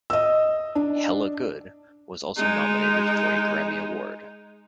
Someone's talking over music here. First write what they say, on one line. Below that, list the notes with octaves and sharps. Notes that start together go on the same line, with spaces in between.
"Hella Good" was also nominated for a Grammy award.
D#5 E6
D4
G#3 D#4